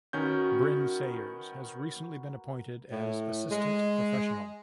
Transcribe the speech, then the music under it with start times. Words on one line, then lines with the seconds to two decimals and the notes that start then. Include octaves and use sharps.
Bryn Sayers has recently been appointed as Assistant Professional.
0.13 D#3 C#4 F#4 A#4 B4 G6
2.91 A2
3.51 G#3